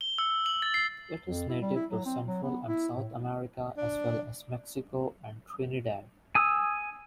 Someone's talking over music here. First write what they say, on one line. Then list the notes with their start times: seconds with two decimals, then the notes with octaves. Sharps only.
It is native to Central and South America as well as Mexico and Trinidad.
0.01 G7
0.18 E6
0.46 F#7
0.62 A6
0.74 C7
1.27 F2
1.49 E4
1.61 G3
1.76 E4
1.91 F#3
2.06 C4
2.27 F#3
2.43 B3
2.68 E4
2.96 A2
3.77 D4
6.35 G#5 D#6 E6